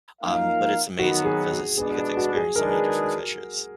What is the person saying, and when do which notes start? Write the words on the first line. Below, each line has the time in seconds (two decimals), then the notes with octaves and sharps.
um, but it's amazing 'cause it's you get to experience so many different fishes.
0.21 F3 A#3 D#4 A#4 F5
0.99 D#3 F#3 B3 F#4
1.25 G#4
1.51 F#4
1.77 B2 G#3 B3 D4 G#4
1.96 G#4
2.17 F#4
2.36 G#4
2.56 D#3 G#3 D4 G#4 A#4 B4